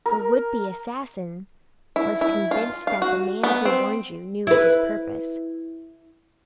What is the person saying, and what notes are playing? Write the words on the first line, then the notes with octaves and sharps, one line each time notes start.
The would-be assassin was convinced that the man who warned you knew of his purpose.
A#4
E4
E4
F4
F5
F#4
B3
C4
E4 B4